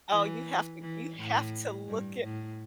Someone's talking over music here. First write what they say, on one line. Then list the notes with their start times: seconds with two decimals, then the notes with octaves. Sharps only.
Oh, you have to you have to look it
0.12 E3
0.82 E3
1.17 A2
1.88 G2
2.24 A2